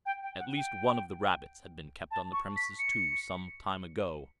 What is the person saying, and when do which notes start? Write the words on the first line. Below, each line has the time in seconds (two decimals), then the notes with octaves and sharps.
At least one of the rabbits had been kept on the premises, too, some time ago.
0.06 G5
0.23 G5
0.39 F#5
0.57 G5
2.11 A5
2.33 C#6
2.57 B6
2.79 C#7